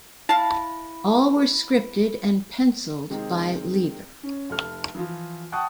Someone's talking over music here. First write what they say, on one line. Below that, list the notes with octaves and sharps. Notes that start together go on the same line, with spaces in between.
All were scripted and penciled by Lieber.
E4 F5 A5
C3 D#3 G#3 C4
C#4
F1 A4 F6
E3 F3 F4
F#5 G5 A5 C#6 D#6 F#6